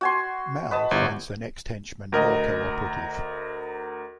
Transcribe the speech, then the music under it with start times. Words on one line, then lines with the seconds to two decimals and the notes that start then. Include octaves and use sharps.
Mal finds the next henchman more cooperative.
0.01 F#4 G#5 C6
0.71 B4 D#5 A5
0.91 G1 E4 G4
2.12 D2 A#4 D#5